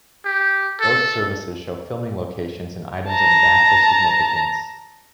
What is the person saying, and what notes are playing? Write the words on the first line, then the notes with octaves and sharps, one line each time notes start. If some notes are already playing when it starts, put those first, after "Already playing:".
Both services show filming locations and items of natural significance.
G4
A4
A5 A#5